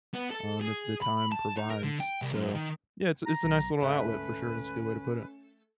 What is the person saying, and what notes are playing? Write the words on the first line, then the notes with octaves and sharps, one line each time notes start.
um, if the time provides. So, yeah, it's it's a nice little outlet for sure. It's a good way to put it.
B3
A4
G#4
B5
A5
D#4
A#4
D3
G5
C2
F#2
D#3
A#5
B1
D2 G#2 A3 C#4 A4 B4